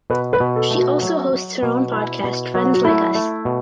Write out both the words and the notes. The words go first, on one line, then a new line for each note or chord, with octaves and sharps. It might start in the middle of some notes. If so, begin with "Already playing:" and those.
She also hosts her own podcast "Friends Like Us".
B2 B4
B4
B2
A4
A3
F#4
F#3
F#3
B2
E4
B2
F#3
F#4
A3 E4
A3
B2